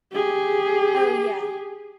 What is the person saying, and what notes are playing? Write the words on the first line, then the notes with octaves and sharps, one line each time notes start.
Oh, yeah.
G4 G#4